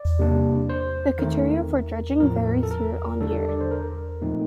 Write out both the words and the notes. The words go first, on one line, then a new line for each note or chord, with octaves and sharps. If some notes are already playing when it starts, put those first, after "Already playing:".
The criteria for judging varies year-on-year.
Already playing: D5
C3 G3 A#3 D4
C5
D#3 A3 C4 A#4
A2 F3 C4 A#4
A4
A#4
D3 G3 D4 A4
D5
C5
A#4
A#2 F3 A3 C4 D#4